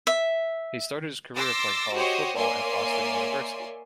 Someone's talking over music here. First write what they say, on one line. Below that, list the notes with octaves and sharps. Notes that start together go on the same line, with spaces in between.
He started his career playing college football at Boston University.
E5
C6 D6 E6 A6 A#6
F#4 G4 C5 C#5 D#5
A#3 C#5 D5 E5 G#5 C6